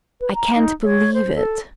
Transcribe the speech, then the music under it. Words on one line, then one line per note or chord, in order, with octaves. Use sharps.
I can't believe it!
B4
A#5
D#4
C#5
C5
A4